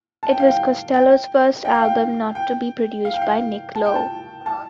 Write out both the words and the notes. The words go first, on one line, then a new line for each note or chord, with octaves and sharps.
It was Costello's first album not to be produced by Nick Lowe.
A5
G5
F5
G5
G5
G5
F5
G5
G5
F5
G5
F5
A5
G5
A5
A5